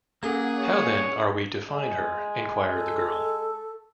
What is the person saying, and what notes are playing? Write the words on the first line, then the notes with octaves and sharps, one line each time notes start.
How, then, are we to find her? enquired the girl.
A#3 C#4 G#4 A4 F#5 G#6
C#5
G#3
A4